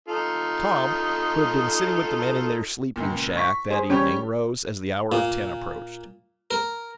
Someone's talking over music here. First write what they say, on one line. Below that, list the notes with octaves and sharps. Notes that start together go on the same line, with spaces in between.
Tom, who had been sitting with the men in their sleeping shack, that evening, rose, as the hour of ten approached.
D#4 F4 A4
C#2 A#2
C#6 B6
G#4 C5
G3 C#4 G4 C#5
A#2
A#4